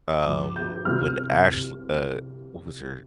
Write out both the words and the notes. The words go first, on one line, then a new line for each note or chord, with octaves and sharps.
um, when Ash uh, what was her
G2 F3 D6
G6
C2 C3 G3 F6